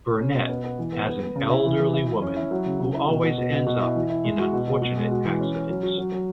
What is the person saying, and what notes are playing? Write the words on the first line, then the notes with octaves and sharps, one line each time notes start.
Burnett as an elderly woman who always ends up in unfortunate accidents.
C#4
B2
B3
B3
E3
B3
B3
B3
C#3
E4
E3
E3
E4
E4
C#4
E4
F#3
C#3
C#3
E4
B2
B2
B2
B2
B2
E4
E3
E4
G#3
F#4
B2
B2
B2
G#3
F#4
E3
C#4
C#4
F#3
F#4
F#3
F#3